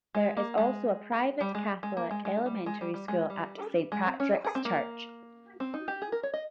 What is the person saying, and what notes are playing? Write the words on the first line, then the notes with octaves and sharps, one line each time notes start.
There is also a private Catholic elementary school at Saint Patricks Church.
G#3
A#3
G#3
G3
G#3
G#3
A#3
G#3
G#3
G3
G#3
G3
G3
G#3
G3
G#3
C4
C#4
G#4
C4
A#3
C4
D#4
G4
G#4
A#4
C#5
D#5